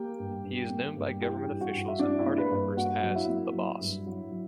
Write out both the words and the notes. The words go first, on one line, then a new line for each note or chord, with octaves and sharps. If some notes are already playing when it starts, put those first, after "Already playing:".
He is known by government officials and party members as "the Boss".
Already playing: A#3 G4 G5
G2
G2
A#3
G2
E3 G4 G5
G2
F#4 F#5
G2
E5
E3 D4 D5
E4 E5
A#3
B4 B5
G2
A#3 F#4 F#5
F#3
E4 E5
A#3
F#3
G2
F#3
F#3